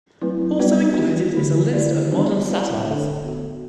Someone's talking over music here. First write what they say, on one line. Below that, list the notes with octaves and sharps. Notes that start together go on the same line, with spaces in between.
Also included is a list of modern satires.
F#3 A3 C4 E4 B4
G3 B3 F#4 B4 D5
B3 D4 G4
D3 A3 E4
D3 A3 E4 G4 D5
G3 B3 D4 F#4 C5
C4 E4 B4 D5
D3 A3 D4 A4
B3 F#4 A4